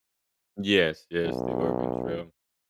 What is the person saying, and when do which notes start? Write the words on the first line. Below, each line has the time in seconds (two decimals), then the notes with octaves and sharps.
Yes, yes. The Oregon Trail.
1.25 B1